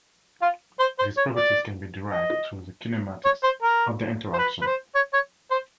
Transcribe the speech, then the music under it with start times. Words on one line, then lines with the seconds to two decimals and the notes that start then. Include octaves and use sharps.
These properties can be derived through the kinematics of the interaction.
0.42 F4
0.80 C5
0.99 C5
1.17 C#5
1.36 D5
2.12 D#5
3.25 C#5
3.43 C5
3.62 A#4
4.33 C5
4.38 B4
4.62 B4
4.66 C5
4.95 C#5
5.13 C#5
5.51 C5